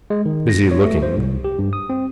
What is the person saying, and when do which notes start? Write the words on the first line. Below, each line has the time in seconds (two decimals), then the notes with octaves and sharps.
Busy looking.
0.10 G#3
0.26 D#3
0.49 A#6
0.71 C#5
0.85 A3
1.02 C5
1.17 C2
1.44 G4
1.59 G2
1.73 D#6
1.90 C4